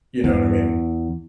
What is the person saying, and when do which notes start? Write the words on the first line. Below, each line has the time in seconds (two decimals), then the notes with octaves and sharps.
You know what I mean?
0.24 E2